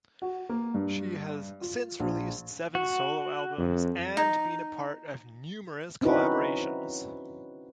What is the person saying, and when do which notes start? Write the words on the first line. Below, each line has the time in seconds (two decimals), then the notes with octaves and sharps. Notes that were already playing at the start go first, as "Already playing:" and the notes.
She has since released seven solo albums and been a part of numerous collaborations.
0.22 F#4
0.49 A#3
0.74 G2
1.61 F4
2.00 A#1
2.75 F#4
3.58 F2
4.17 D#4
6.02 C4 C#4 D#4 E4 F#4 B4